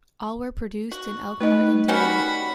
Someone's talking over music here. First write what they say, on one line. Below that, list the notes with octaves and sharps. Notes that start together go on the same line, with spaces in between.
All were produced in Elkhart, Indiana.
F#4
A3 D#4 B4 D#5
D#3 G3 C#4 F#4 F#5 B5